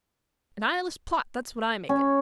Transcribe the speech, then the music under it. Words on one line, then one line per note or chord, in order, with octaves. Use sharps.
A Nihilist plot--that's what I make it.
C#4